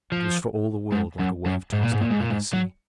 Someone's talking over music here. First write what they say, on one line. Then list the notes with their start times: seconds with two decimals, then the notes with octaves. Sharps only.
It was for all the world like a wave tossed up by the sea.
0.12 F3
0.92 G#2
1.20 F#2
1.46 F#2
1.73 G#2
1.83 A#2
1.92 G#2
2.01 A#2
2.11 G#2
2.21 A#2
2.31 G#2
2.53 F#3